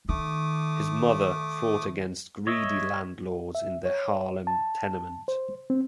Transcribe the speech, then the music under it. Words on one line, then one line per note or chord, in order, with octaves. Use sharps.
His mother fought against greedy landlords in their Harlem tenement.
D#3 A3 D6 D#6
C#5 D#5 E5
E5
C#5
A5
C5
C4